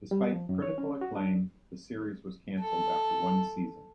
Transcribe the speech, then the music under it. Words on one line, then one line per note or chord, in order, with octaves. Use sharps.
Despite critical acclaim, the series was cancelled after one season.
G3
F3
F#2
C#5
C#4
F#4
D4
A4